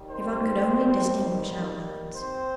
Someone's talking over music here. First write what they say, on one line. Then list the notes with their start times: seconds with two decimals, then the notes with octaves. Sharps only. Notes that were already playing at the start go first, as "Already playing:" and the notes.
Yvonne could only distinguish outlines.
Already playing: D#2 D#3 G3
0.11 C4 C5
2.15 C4 C5